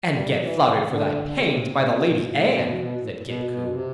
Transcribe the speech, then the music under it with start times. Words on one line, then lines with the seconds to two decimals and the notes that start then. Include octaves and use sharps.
"And get flouted for thy pains by the Lady Anne," said Kit Coo.
0.15 G3
0.28 F#3
0.40 E3
0.88 D3
1.23 D3
1.35 C3
1.76 A2
1.82 B2
2.07 B2
2.29 A2
2.49 C3
2.53 B2
2.78 B2
3.00 A2
3.16 A2
3.25 B2
3.48 B2
3.71 C3